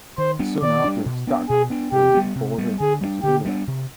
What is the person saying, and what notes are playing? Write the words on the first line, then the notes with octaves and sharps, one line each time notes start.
Soon after stock was imported into England.
D#3 C5
G3 B3 D4
D#3 D5
G3 B3 D4
B2
B3 D4
B2 G#4
B3 D4
C3 G4
G3 B3
C3
G3 B3
D3 G#4
G3 B3 D4
D3 G4
G3 B3 D4
C3